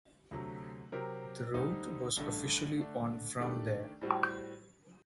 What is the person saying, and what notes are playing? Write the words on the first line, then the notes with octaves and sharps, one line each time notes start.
The rout was officially on from there.
D2 C3 F#3 A3
C3 F#3 C4 G4 A#4
D2 D3 G3 C4 D#4
A1 G2 D3 A3
D3 A3 D4
D#3 A3 D4 G4 D5
A2 G3 C4 F#4